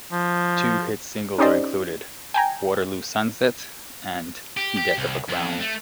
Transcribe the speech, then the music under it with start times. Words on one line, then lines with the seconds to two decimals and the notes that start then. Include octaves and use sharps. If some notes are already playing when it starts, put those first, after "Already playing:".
Two hit singles are included: "Waterloo Sunset" and "Death of a Clown".
0.12 F3
1.38 C#4 D#4 G4 C5 D5 D#5
2.34 G5 G#5 A#5
4.57 G4
4.77 G4
4.98 C2
5.29 F2
5.60 A3